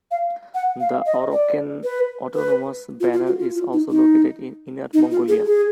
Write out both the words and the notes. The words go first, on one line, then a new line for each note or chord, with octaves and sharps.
The Oroqen Autonomous Banner is also located in Inner Mongolia.
F5
F#5
F5
D#5
D5
B4
B4
F4
F4
F#4
F4
F4
D#4
D#4
D#4
F4
G#4
G#4